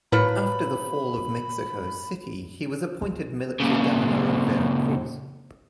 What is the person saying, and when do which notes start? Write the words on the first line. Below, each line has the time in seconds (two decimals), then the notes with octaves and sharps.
After the fall of Mexico City, he was appointed military governor of Veracruz.
0.12 A2 F3 F#3 B4 B5
3.60 A#2 C#3